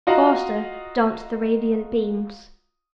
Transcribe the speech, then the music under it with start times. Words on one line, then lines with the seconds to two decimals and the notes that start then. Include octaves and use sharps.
Faster danced the radiant beams.
0.07 F4 F#4 D#5 F5 F#5 A#5